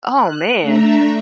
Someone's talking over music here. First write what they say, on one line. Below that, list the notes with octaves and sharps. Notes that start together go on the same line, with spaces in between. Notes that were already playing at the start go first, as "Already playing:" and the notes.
Oh, man.
F#6
A3 D4 E5 A#5